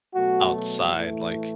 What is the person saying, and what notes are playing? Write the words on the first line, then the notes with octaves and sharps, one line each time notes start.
outside, like,
B2 F#3 A3 F#4
A2 E3 A3